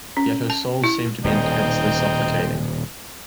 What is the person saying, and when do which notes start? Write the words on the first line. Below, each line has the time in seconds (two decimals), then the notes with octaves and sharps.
Yet her soul seemed to be intensely supplicating.
0.17 C#4
0.50 A5
0.84 E4
1.24 D#1 B2 C4 D#4